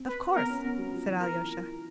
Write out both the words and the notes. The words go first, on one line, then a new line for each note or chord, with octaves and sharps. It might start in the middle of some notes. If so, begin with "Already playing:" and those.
"Of course," said Alyosha.
Already playing: C4
B4
B3 A#4
C#4
B3
F#3
F3
E3
A#4